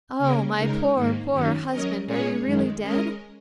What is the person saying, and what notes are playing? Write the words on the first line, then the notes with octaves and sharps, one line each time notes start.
'Oh, my poor, poor husband, are you really dead?
C#3 A#3 C#4 A#4
C#3 G#3 D#4 A#4
G#2 D#3 A#3
F#2 D#3 F#3 C#4
F#3 C#4 A#4 D#5
A#2 G#3 C#4 G#4 C#5
F#2 D#3 G#3
G#3 C#4 A#4 D#5